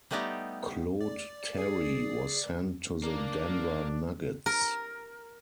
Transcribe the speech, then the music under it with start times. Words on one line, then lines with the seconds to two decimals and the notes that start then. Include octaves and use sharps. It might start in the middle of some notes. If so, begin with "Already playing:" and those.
Claude Terry was sent to the Denver Nuggets.
0.11 G3 A3 B3 D#4 G4
1.01 D5
1.56 G#4
3.03 A#3 D4
4.46 A#4